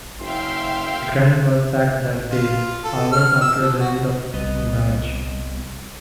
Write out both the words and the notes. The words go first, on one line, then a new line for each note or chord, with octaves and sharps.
Grant was sacked that day, hours after the end of the match.
F#1 E5 F5 G5 C6
F4
A4
F6
E6
F3
F#4
C2 B3 B4 D#5